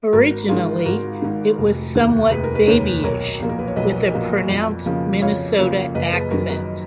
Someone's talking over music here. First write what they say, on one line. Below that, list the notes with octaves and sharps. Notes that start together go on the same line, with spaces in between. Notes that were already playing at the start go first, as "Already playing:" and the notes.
Originally, it was somewhat babyish, with a pronounced Minnesota accent.
G#1 F#4 A#4
G#2 D#3 F4 G#4
G#1 F#4 A#4
G#2 D#3
F1
D#2 D#3
F1 G#4 B4
A#4
B4
D#2 D#3 A#4 C#5
B1 A#4 C#5
A#2 F3 A#3
A#4
B4
C#5
B1 B4 D#5
A#2 F3 A#3
F2
C#3 F3 A#3
F2 C#5 F5
C#3 F3 A#3
F#1 B4 D#5
G#4 B4
F#2 D#3 F#4 A#4
F#4 A#4